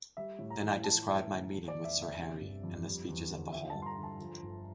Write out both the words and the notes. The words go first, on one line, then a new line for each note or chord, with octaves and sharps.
Then I described my meeting with Sir Harry, and the speeches at the hall.
G3 E5
A2
A#5
E3
F3 A5
G2
E5
D3
F3
D5
E2
E5
D3
E5
C3
G1
F2
G3
E2
D3
F3 E5
A5
G2
C6
A#5
D3
A5
F3
G1